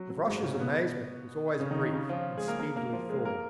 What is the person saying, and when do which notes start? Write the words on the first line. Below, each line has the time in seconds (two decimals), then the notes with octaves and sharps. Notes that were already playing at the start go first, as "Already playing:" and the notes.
Gavroche's amazement was always brief and speedily thawed.
Already playing: F#3
0.10 F#3
0.26 G#2 G#3
0.43 C#3 C#4
0.56 A#3
0.60 B2 B3
1.59 C#3 C#4
1.71 D#3 D#4
1.81 D#3 D#4
1.93 C#3 C#4
2.09 F3 F4
2.38 G#3 G#4
2.48 A#3 A#4
2.59 A#3 A#4
2.76 A#3 A#4
2.92 F3 F4
3.09 G#3 G#4
3.25 A#3 A#4